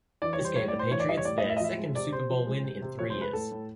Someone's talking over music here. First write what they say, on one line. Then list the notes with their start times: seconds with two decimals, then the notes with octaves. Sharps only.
This gave the Patriots their second Super Bowl win in three years.
0.22 E3 D5
0.33 C#5
0.39 G3
0.45 C5
0.56 A2 C#5
0.68 D5
0.73 A2
0.79 C5
0.90 E3 C#5
1.00 D5
1.09 G3 D#5
1.17 C#5
1.25 A2 D5
1.38 D#5
1.44 A2
1.49 E5
1.57 D#5
1.60 F3 E5
1.77 G#3
1.95 C3 D5
2.12 C3 C5
2.29 F3
2.47 G#3
2.64 C3
2.82 C3
2.99 F3 C#5
3.10 C5
3.16 G#3
3.22 B4
3.33 A2 A4
3.51 A2